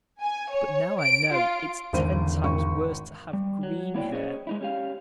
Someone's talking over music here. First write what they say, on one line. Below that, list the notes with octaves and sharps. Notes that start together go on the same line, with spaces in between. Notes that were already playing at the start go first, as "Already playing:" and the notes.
But now I know it's ten times worse to have green hair.
G#5
C#5
D7
F4
G#1 E2 D3 C5 D#7
G#1 D#3 C#6
G3
F#3
A#3 E4 C#5 D5 G5
C#4 G#4 C5 C#5 D#5
G#3 D#4 E4
C#4 G4 F5